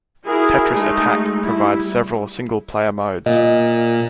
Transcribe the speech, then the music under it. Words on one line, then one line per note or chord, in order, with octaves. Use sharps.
"Tetris Attack" provides several single-player modes.
E4 F#4 G#4 A#4
G#3 A3 D#4 F#4
G3 E4
A#2 D#5